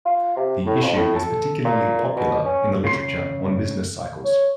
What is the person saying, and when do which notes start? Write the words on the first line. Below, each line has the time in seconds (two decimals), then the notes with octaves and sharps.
The issue is particularly popular in the literature on business cycles.
0.05 F4
0.36 C3
0.66 A2
0.82 F2
0.96 A2
1.16 A4
1.65 A#2
2.16 B2
2.45 C#4
2.84 C#3 C6
4.24 C#5